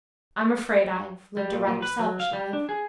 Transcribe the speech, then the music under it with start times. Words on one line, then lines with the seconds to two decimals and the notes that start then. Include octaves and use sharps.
I'm afraid I've lived a rather selfish life.
1.37 G3
1.53 A#2
1.67 A#2
1.82 B4
1.99 F#3
2.20 F5
2.33 G3
2.53 D4
2.69 G#4